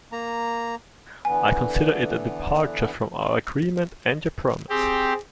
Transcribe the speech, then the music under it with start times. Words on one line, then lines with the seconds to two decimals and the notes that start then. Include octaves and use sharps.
I consider it a departure from our agreement and your promise.
0.12 A#3 A#5
1.25 D3 E3 B3 G#5
4.70 C4 G4 G#4